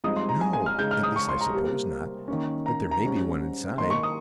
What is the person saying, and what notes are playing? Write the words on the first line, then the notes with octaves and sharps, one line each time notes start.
"No; at least I suppose not; but there may be one inside."
G2 F3 G#3 C4 D#4 D#6
C6
A#5
G#5
G#5
F6
C#3 G#3 D#4 G6
F6
D#6
C#6
C6
A#5
C3 G3 A#3
D#3 A#3 C#4
A#5
A#5
G#2 G3 C#4
D#3 A#3 D#4 C6
C#6
D#6